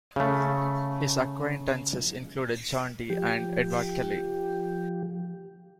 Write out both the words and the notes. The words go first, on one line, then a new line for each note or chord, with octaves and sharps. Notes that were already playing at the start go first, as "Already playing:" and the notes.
His acquaintances included John Dee and Edward Kelley.
C#3 A3
F3 G4